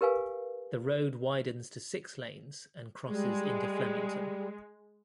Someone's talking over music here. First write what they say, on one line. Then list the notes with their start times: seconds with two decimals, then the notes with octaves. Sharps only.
The road widens to six lanes and crosses into Flemington.
0.01 G4 A#4 B4 F5 G#5
3.09 G3 G#3